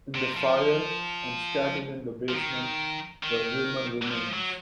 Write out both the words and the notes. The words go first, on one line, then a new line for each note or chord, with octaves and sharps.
In the fire, and scattered in the basement, were human remains.
C3
F3
F3
D#3
D#3
F3
F#3